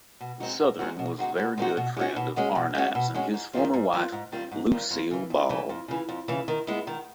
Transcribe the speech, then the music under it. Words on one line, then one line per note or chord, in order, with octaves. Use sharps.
Sothern was a very good friend of Arnaz and his former wife Lucille Ball.
B2
G#3 C4 D#4 F#4
B2
G#3 C4 D#4 F#4
B2
G#3 C4 D#4 F#4
B2
G#3 C4 D#4 F#4
B2
G#3 C#4 F#4
B2
G#3 C#4 F#4
B2
G#3 C#4 F#4
B2
G#3 C#4 F#4
G#2
D#3 G3 C4 F4
G#2
D#3 G3 C4 F4
G#2
D#3 G3 C4 F4
G#2
D#3 G3 C4 F4
F2
C#3 E3
F2
C#3 E3
F2
C#3 E3
F2
C#3 E3
D#3
G#3 B3 E4
D#3